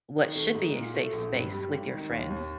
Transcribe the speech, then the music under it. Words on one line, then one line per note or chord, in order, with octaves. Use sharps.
what should be a safe space with your friends,
D#3
A3
G#2
A#2
A3
A#1
G2
G3
G#1
D#3
D#2
D#2